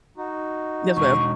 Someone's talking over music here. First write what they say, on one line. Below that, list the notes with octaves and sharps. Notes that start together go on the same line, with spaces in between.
Yes, ma'am.
D#4 F#4
E1 C#6